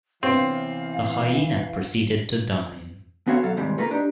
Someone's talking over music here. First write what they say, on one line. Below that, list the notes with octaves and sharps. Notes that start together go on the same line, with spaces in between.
The hyena proceeded to dine.
C3 E3 B3 C4 C#5 F5
B3 C4 F#4 A4 C#5 F5
B2 F#3 A4 F5
D#2 G#2 C3 E3 G3 G#3
F2 A3 A#3 F4 B4 A#5
D4 D#4 G4